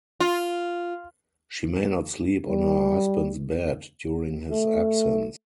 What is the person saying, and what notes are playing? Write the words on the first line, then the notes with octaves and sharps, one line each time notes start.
She may not sleep on her husband's bed during his absence.
F4
G3
A3